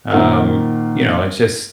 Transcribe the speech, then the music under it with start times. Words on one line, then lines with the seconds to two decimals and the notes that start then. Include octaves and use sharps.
um, you know, it's just,
0.11 A#2 D#3 A#3 C5 F#5 F6